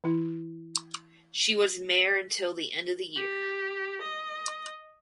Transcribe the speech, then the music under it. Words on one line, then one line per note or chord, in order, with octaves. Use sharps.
She was mayor until the end of the year.
E3 E4
G4
D#5